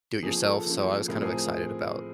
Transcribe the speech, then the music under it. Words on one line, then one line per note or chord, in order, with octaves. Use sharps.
do it yourself. So, I was kind of excited about
F3 A#3 C#4 G#4
A4
F3 A#3 C#4
A2 F3 A3 C4 G#4 A#4
G#4 A#4